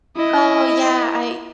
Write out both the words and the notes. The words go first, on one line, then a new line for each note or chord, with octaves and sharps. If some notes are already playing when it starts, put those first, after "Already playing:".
Oh, yeah, I
E4 D#5